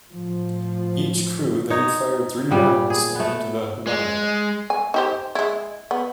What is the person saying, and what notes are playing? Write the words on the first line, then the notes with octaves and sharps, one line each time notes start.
Each crew then fired three rounds to end the "Run Out".
A2 F3
D#4 C#5
A#2 G3 B3
G#4
A3 B3
G#3
G#5
D#4 G4 C5
G#3 E4
B3